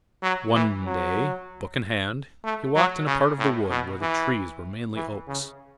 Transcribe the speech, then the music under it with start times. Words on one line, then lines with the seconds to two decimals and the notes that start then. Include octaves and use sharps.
One day, book in hand, he walked in a part of the wood where the trees were mainly oaks.
0.23 F#3
0.54 E3
0.86 F#3
2.44 A3
2.76 F#3
3.07 C#3
3.39 A2
3.70 B2
4.02 E3
4.96 E3
5.28 C#3